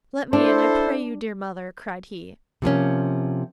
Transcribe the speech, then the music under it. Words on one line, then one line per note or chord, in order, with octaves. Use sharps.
'Let me in, I pray you, dear mother,' cried he.
D4 E4 A4 C5
C3 F3 A#3 C#4